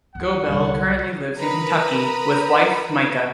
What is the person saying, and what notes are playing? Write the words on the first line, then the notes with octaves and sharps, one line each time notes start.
Goebel currently lives in Kentucky, with wife Micah.
D#2 F#5
C2 D3 G3 C#5
A#4 B4 A#5 B5 D#6